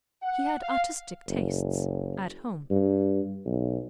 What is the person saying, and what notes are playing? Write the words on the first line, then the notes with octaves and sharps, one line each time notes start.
He had artistic tastes--at home.
F#5
F5
F#1
G2
B1